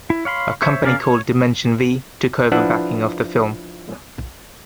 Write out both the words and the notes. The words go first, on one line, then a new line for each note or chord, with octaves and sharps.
A company called Dimension V took over backing of the film.
E4
C#5 F5 B5 C6
C5 C#5 E5
C#3 C#4 A#4 D5 F5
C#5
F3 D4 E4 B4 E5 F#5